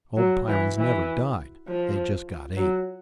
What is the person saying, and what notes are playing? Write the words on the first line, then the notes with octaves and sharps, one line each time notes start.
Old Pyrrans never died, they just got et.
F#3
E3
E3
F3
F#3